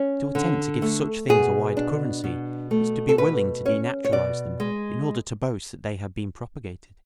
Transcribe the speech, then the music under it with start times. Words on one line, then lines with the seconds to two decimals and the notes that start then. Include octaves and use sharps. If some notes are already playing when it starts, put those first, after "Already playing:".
To attempt to give such things a wide currency is to be willing to denaturalise them in order to boast that they have been propagated.
Already playing: C#4
0.35 D3
0.82 A3
1.29 B2 G#4
1.77 D4
2.24 B2
2.71 A3
3.09 A4
3.18 B2 B4
3.65 C#4 C#5
4.04 C#5
4.12 B2 D5
4.60 G#3